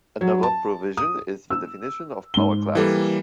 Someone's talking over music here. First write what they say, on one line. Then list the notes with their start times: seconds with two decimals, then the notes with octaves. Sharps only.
Another provision is the definition of power classes.
0.21 F#3
0.43 A5
0.97 D#6
1.50 E6
2.34 G#2 G7
2.75 E3 G3 A#3 A4